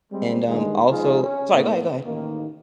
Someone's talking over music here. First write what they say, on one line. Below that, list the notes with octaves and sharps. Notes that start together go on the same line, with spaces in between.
and, um, also sorry, go ahead, go ahead.
G3 G#3 C4
G2 D3 D#3 G3 G#3
D#3 F3 G#3 D#4 F4 G#4
C#4
A2 A#3 B3
A1 D#3 A#3